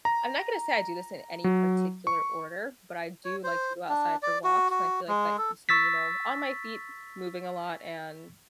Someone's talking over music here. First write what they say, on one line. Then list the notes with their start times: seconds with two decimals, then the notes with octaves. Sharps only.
I'm not gonna say I do this in any particular order, but I do like to go outside for walks, and I feel like that keeps me, you know, on my feet moving a lot, and
0.05 A#5
1.44 F#3
2.07 C#6
3.25 C#5
3.44 C5
3.89 D4
4.23 D5
4.44 F#4
4.70 F#4
5.08 G#3
5.38 A4
5.69 C#6 E6 A6 B6